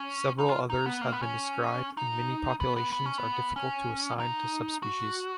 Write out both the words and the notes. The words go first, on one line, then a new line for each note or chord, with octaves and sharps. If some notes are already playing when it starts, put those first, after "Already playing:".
Several others have been described and many populations are difficult to assign to subspecies.
Already playing: C#4
D#4
F4
D#4
B3
A#3
B3
C#4
D#4
B3
B3
B3
C#4
B3
C#4
D#4
F#4